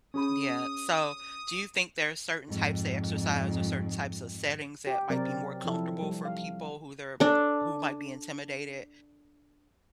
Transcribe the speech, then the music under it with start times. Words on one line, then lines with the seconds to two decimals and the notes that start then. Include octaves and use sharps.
D yeah, so, do you think there are certain types of exercise or certain types of settings that might be more comfortable for people who they're who might be intimidated,
0.14 C#4 G#4 B5 D#6
2.49 F2 G#2
4.87 G4
5.09 C3 F#3 C4 A#4 D5
5.64 F3 E4 A4
6.02 G3
6.25 F5
7.20 D4 A4